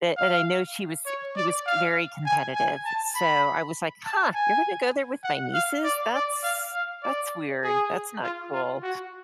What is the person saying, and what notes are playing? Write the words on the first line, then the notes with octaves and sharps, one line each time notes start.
but and I know she was he c was very competitive. So I was like, "Huh, you're gonna go there with my nieces? That's that's weird. That's not cool."
F5
C#5
D5
F5
G#5
G#5
A5
B5
A5
G#5
F#5
F5
D5
D5
F5
F5
D5
G#4
F4
F4
F#4